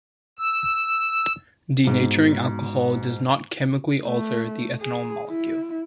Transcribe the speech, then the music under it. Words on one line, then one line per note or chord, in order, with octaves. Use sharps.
Denaturing alcohol does not chemically alter the ethanol molecule.
E6
G#2 B2
A3
G#4
E4